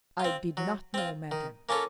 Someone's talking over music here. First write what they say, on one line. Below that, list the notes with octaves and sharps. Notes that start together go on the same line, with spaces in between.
I did not know, madam.
C4 F4
F#3
C4 F4
D#3
A#3 C#4 F4 A4